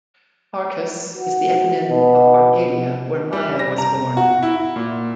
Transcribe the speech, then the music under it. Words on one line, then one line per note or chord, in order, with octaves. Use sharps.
Arcas is the eponym of Arcadia, where Maia was born.
F#4
B2
G3
A#6
A#5
F#4
E4
A#2